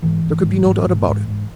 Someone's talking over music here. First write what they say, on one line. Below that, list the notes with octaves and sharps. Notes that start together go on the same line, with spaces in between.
There could be no doubt about it.
G#2 E3
G#2
G#2
G#2
G#2
G#2
G#2